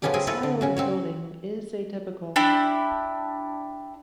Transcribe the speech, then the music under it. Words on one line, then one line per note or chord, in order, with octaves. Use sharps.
The style of the building is atypical.
C#3 F3 B3 C#4 D4 G4
C4 G#4 A#4 G#5
E4 F4 A4 B4 C#5
D3
C#3 C#4 F#4
C4 F#4 C#5
D4 E4 G4